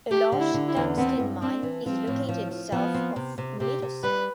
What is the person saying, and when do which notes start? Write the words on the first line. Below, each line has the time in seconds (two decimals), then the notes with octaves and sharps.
A large tungsten mine is located south of Mittersill.
0.11 A3 G4
0.32 D3
0.40 E4
0.54 D3
0.69 E4
0.76 E2
0.98 B3 C4
1.20 G2
1.41 C4 D4
1.63 E3
1.86 F3 C4
2.07 A2
2.29 F3
2.51 F3
2.72 F3 B3
2.95 C4
3.16 C3
3.38 C3
3.60 C3 G4
3.82 C3
4.03 G3 B4